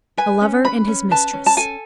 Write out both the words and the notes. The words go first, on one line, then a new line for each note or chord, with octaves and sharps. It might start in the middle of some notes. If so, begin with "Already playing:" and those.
A Lover and His Mistress.
B4 G#5
C#4
B4 B5
C#4
B4 A5
C#4
A5
A4 G#5